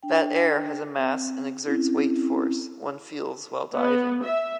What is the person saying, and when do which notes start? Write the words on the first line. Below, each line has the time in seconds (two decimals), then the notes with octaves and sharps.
That air has a mass and exerts weight force, one feels while diving.
0.03 D4 G5
0.98 C4
1.67 C4 C#4 E4
3.74 B3
4.23 E5